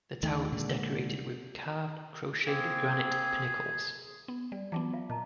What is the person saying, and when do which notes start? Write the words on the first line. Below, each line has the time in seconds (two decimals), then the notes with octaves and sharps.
The tower is decorated with carved crotcheted granite pinnacles.
0.23 D#2 D#3 A3
0.52 A#2 D3 G#3
2.46 A#3 C4 G#4
4.28 B3
4.52 G3 D5
4.72 E3 F#3 B3 F4 A5 D6
4.93 F4 E5 F5
5.10 A#2 D#5 A5 A#5